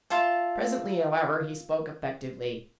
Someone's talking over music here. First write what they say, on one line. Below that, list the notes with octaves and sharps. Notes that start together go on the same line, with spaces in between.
Presently, however, he spoke effectively.
F4 E5 A5